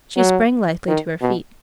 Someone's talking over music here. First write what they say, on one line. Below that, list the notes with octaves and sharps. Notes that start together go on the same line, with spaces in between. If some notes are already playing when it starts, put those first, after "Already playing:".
She sprang lithely to her feet.
F#3
D#3
B2